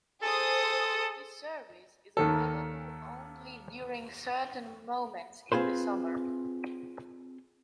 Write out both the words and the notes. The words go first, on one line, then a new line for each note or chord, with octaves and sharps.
This service is available only during certain moments in the summer.
G#4 A4 C5 D#6
D#2 D#3 A4
C4 F4 G#4 B4 C5